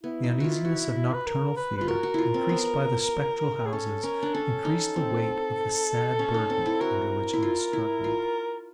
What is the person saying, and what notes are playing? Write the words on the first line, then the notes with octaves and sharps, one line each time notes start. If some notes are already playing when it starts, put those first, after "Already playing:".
The uneasiness of nocturnal fear, increased by the spectral houses, increased the weight of the sad burden under which he was struggling.
B3 E4
D#4
F4 F#4
F#4
B4
A#4
B4
F4 B4
F#4 A#4
F#4
E4 F4
C4
B3
G#4
C#4 A4
C#4 A#4
D4
C#4 A4
D#4
C4
C#4
D#4
C4
E4
F#4 A#4
E4
F4
E4
F4